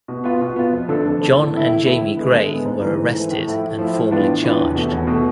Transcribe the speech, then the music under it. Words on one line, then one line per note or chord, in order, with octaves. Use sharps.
John and Jamie Gray were arrested and formally charged.
B2
B3 F4
B2
B3 F4
F2
D3 A3 D4 A4
F2
D3 A3 D4 A4
A2
E3 A3 E4
A2
E3 A3 E4
D3
G#3 B3
D3
G#3 B3
G#2
E3 A3
G#2
E3 A3
A2
F3 A3 E4
A2
F3 A3 E4
A2
E3 B3 D4 F4
A2
E3 B3 D4 F4
E2
B2 A3
E2
B2 A3